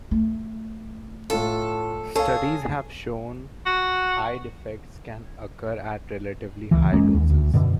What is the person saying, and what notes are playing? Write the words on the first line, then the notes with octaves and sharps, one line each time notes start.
Studies have shown eye defects can occur at relatively high doses.
A3
A2 F4 A4
G#4 A4 C#5 F5 A5
F#4
C#2 E3
F#1 G#3 A#3 C#4
D#2
D2
F#2 B2 D3